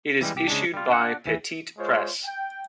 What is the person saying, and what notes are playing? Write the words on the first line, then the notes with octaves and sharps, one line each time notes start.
It is issued by Petit Press.
E3 G3 G#3
C2 G4
C#3 G#3 D4
G3 F4
D4 F#5
D#2 E3
G#3 F4 C5 C#5
G5